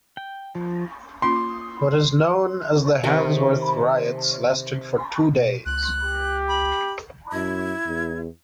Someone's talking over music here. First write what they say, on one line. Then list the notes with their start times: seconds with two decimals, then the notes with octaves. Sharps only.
What is now known as the Handsworth Riots lasted for two days.
0.17 G5
0.55 F3
1.22 A#3 C#4 F4 C6
3.04 C3 D#3
5.33 B2
5.66 C#2 F#6
6.04 G4
6.48 B5
7.32 F#2 E4 G#6
7.86 E2